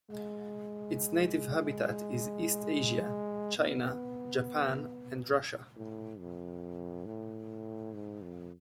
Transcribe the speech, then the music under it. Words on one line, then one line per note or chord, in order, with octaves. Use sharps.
Its native habitat is East Asia, China, Japan, and Russia.
G#3
B3
A2
F2
A2
G#2
F2